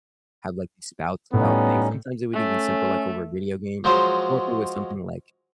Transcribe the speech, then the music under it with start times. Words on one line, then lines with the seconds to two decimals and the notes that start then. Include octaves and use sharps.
have, like, these spouts about things, sometimes it would even simple, like, over a video game or if it was something like,
1.33 A2 G3 B3 C#4 D#4
2.34 A3 C#4
3.84 F3 F#3 G#3 C5